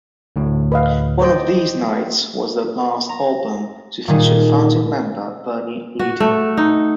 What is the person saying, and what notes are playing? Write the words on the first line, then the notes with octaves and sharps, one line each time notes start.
"One of These Nights" was their last album to feature founding member Bernie Leadon.
D2 A2
B4 D#5 F5
C5 D5 D#5 G5
A#5
A#2 D#3 G3 G#4
F#4
A3
D#4